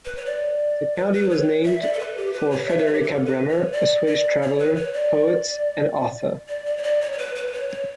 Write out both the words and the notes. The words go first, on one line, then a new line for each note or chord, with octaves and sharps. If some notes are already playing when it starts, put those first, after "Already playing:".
The county was named for Fredrika Bremer, a Swedish traveler, poet, and author.
B4
C#5
D5
B4
B4
C#5
E5
D5
A4
B4
G4
B4
C#5
E5
B4
C#5
G4
A4
B4
C#5
D5
D5
C#5
B4
C#5
D5
D5
D5
C#5
D5
C#5
C#5
B4
B4
B4
C#5
C#5